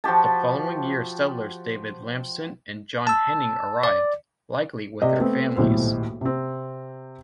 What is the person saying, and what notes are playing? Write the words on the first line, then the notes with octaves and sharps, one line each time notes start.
The following year settlers David Lampson and John Henning arrived, likely with their families.
F3 F#4 G4 A5
A5 E6
D5
C3 D5 D#5
A3 B3 C4
D#1 B1 A2 E4 C5
C3 C4